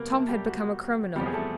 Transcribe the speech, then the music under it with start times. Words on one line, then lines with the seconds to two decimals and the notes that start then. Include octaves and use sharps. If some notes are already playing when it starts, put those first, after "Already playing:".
Tom had become a criminal.
Already playing: C#2 B2 G3 A#3 B3 A#4 B4
0.11 A3 A4
0.28 G3 G4
0.46 F#4
1.16 E2 C3 F3 G3 G4
1.26 G#4
1.34 A3 A4